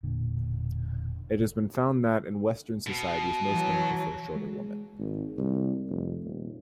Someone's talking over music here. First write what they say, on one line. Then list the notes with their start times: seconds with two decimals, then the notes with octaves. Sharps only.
It has been found that, in Western societies, most men prefer shorter women.
0.03 E1 A#2 D3
2.87 B2
3.48 E3 F#3
4.36 G#3
4.99 G#1
5.38 C2
5.90 F1
6.24 D#1